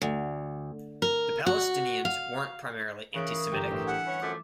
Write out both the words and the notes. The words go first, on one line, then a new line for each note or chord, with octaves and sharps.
The Palestinians weren't primarily anti-Semitic.
D2
A#4
F#4
F5
C#3 E3 A#4 C#6 D#6 F#6 D7
G1 G4 A#5
A1 E6
F#5 G#5 E6 B6
E3 C#4 C#5
F#2 F3 A3 D6